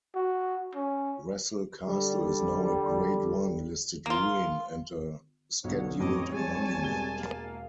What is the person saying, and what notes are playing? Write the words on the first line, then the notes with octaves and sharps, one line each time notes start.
Wressle Castle is now a Grade One listed ruin and a scheduled monument.
F#4
C#4
D3 G3
A#3 F4
B1 D3 C#5
A1 F2 C4 C#5 D#5 D6
G3 G#3 G#5 A5
E1 G#3 G7
A#3 F5